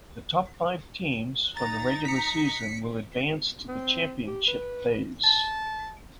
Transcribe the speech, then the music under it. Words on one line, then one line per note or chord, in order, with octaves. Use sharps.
The top five teams from the regular season will advance to the championship phase.
D#4 A#5 A6
B6 C#7
C4
G4
B4
A5